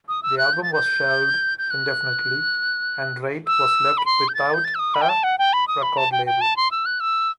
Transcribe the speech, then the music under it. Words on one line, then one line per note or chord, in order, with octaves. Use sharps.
The album was shelved indefinitely, and Raitt was left without a record label.
D#6
E6
F#6
G6
A6
G6
G6
F#6
E6
B5
C6
G6
A6
G6
A6
E6
D#6
B5
G5
A5
F#5
G5
B5
D#6
B5
A5
G5
G5
A5
C6
E6
F#6
E6